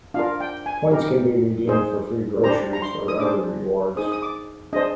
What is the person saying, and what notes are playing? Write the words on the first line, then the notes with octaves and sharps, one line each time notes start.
Points can be redeemed for free groceries or other rewards.
D4 F4 A#4 F5
G5
G#5
D#4 G4 A#4
D#4 G#4 C5
D4 G4 C5 A#5
A#5
C6
D#6
D4 G#4 C5 D6
D#4 G#4 C5 D#6
D#6
D6
D4 G#4 C5 D#5